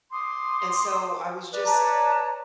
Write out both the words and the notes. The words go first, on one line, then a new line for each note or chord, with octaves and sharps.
and so I was just
C6 D6 D#6
B4 D5
C#5 A5 A#5